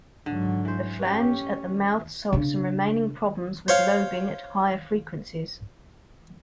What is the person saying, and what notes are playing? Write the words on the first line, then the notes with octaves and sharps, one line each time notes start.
The flange at the mouth solved some remaining problems with lobing at higher frequencies.
G#2 D3 F#3
E3 C5
A3 C#4 G4
C#3 D4
C5 C#5 F5